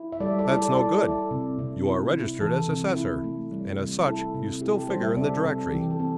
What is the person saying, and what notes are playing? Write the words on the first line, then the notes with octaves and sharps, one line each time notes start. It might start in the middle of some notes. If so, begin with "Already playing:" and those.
"That's no good; you are registered as assessor, and as such you still figure in the directory."
Already playing: E4
E5
G3 A4 D5
A4 D5
E4
A4 D5
E4 A4 D5
E4 A4 D5
C3
C3
E4
E4
E3 A4
C3
E4
A3
G3
C3
E4 A4
C3
E4 G4
G4
A4
G3 G4 C5
C5 E5
C3 A4 D5
C3 A4
E3 G4
A4
C4